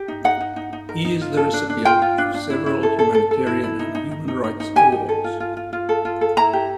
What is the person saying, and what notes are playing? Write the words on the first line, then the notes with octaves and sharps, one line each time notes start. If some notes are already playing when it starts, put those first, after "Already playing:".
He is the recipient of several humanitarian and human rights awards.
Already playing: G4
D#4
D#4 F#5
D#4
D#4
D#4
A#4
D#4
F4
A4
D4
D4
F4 G5
F4
D4
D4
E4
E4
A4
A4
A4
A4
E4
E4
D#4
D#4
D#4
D#4
D#4
D#4
G4 G#5
D#4
A4
F4
F4
F4
F4
A4
F4
A4
E4 A#5
G4